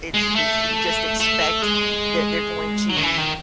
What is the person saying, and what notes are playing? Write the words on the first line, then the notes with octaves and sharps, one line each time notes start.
it it's, we just expect that they're going to,
G#3
A3
A3
G#3
F#3
D#3
E3
D#3